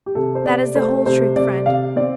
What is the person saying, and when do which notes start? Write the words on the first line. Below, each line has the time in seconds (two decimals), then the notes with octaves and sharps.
That is the whole truth, friend.
0.06 G4
0.15 C3 A4
0.35 C5
0.46 C3 D5
0.76 A3 C5
1.06 C3 C5
1.36 C3 D5
1.66 C3 F5
1.96 C4 D5